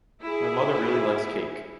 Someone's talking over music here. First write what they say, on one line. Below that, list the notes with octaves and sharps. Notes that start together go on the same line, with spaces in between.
My mother really likes cake.
E4 G#4